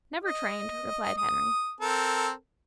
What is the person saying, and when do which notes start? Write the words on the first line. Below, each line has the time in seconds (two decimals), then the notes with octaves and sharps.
"Never trained," replied Henry.
0.24 D#5
1.17 D#6
1.81 C4 A4 A#4